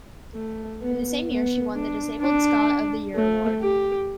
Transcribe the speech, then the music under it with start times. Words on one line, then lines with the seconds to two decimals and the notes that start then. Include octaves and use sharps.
In the same year she won the Disabled Scot of the Year Award.
0.34 A3
0.81 B3
1.28 B3
1.75 D4
2.21 D4
3.15 A3
3.61 G4